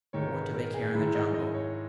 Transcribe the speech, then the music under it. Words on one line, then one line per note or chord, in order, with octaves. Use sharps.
But what do they care in the Jungle?
G#2 D#3 C#5
B4
A#4
G#4
G#2 D#3 E4
D#5
D#5
C#5